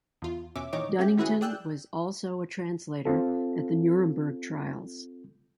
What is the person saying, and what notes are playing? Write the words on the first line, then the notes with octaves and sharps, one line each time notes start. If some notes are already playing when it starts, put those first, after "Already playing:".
Dunnington was also a translator at the Nuremberg trials.
E2 F4
E2 B2 C#4 E5 D6
A#2 D#3 E3 C#5 D#5 D6
A3 C#4 G4
D#3 C#4 E4 F#4 G#4 B4
G#4 D5 G5 E6 F#6 G6
C4 F4 A4